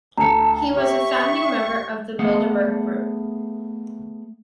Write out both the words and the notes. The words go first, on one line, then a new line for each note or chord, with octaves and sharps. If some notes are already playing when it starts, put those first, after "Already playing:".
He was a founding member of the Bilderberg Group.
D2 A5 A#5 C#7
G4 E5 C#6
A3 B3 G#4 F5 F#5